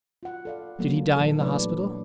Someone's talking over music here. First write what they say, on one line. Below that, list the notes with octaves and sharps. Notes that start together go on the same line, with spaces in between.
'Did he die in the hospital?'
F4 F#5
A4 D5 F5
F#3 A#3 A4
A#2 E3 A4
F#3 A3 D4 B4 C#5 D5